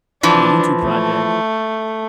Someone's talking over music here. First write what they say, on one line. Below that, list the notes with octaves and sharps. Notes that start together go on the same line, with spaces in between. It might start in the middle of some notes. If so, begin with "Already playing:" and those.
for the YouTube project,
E3 F3 D4
A3